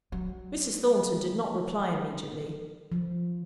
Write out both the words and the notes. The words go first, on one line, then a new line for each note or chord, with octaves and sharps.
Mrs. Thornton did not reply immediately.
F#3
F3